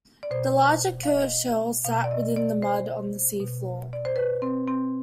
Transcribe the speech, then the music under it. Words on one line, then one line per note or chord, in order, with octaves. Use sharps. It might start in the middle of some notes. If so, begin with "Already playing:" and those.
The larger, curved shell sat within the mud on the sea floor.
D5
B2 C5
F5
D#5
B2 F5
D5
D#5
D5
C5
B2
D5
C5
B4
C4
C4